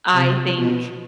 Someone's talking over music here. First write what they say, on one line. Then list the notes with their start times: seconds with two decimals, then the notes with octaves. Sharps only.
I think,
0.12 C3
0.54 B2